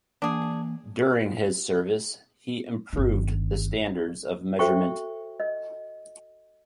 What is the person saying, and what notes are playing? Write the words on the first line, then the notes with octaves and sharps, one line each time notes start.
During his service, he improved the standards of measurement.
E3 A#3 D4 G#4 G#5
G1 D#3
F#4 A4 C5 E5 G5 C#6
D#5